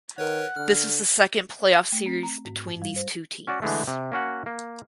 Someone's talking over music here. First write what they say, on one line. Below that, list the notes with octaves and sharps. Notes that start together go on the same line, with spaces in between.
This was the second playoff series between these two teams.
D#3 A#4 B4 C#5 F#5
D3 F6
A3
C4
A#5
G#2
G2
G3
C5
C#4 F#4 D5
D3 E3 G#3 A3
C3
A#3 C#4 F#4 F#5
A#3